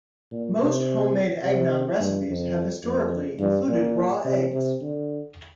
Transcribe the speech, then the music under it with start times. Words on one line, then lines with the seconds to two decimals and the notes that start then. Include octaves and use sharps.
Most homemade eggnog recipes have historically included raw eggs.
0.31 A#2
0.59 C3
1.43 C3
2.00 G2
2.28 F2
2.83 F2
3.39 G2
3.68 A#2
4.25 C3
4.52 C3
4.81 D3